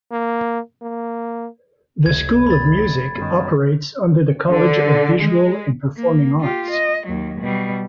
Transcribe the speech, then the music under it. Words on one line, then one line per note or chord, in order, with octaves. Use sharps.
The School of Music operates under the College of Visual and Performing Arts.
A#3
A#3
F1 C#2 G#6
B5 A6
F#2 D#3 F#3 G3 B3
D3
G#3
A#3
F4 G4
D#5
D#2 F#3
B2 G3